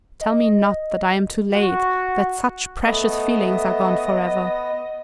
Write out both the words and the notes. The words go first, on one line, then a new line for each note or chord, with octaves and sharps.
Tell me not that I am too late, that such precious feelings are gone for ever.
D#5
F#4
A3 B3 D#5